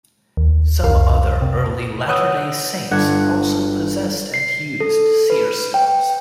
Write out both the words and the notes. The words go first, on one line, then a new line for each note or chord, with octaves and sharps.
Some other early Latter Day Saints also possessed and used seer stones.
D#2
C2 F2 A#4 F5
C3
B4 C#5 F#5 D#6 E6 G6
G1 D4 F#5 G#6
C7
A4
B4
G5